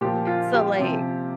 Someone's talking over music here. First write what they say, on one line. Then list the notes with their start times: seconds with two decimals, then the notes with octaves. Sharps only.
So, like
0.01 A#2 F3 G4
0.27 F4
0.54 G4
0.80 C3 F3